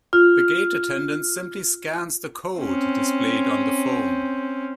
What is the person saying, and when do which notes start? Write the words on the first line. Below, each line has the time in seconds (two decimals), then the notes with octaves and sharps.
The gate attendant simply scans the code displayed on the phone.
0.13 F4 F6
2.61 C4 C#4